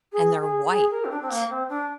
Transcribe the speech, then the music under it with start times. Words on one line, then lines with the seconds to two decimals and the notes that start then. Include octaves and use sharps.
and they're white,
0.12 G#4
0.41 G#4
0.70 G#4
0.90 A#4
1.04 C4
1.10 D4
1.21 C4
1.30 A#3
1.49 C4
1.69 D4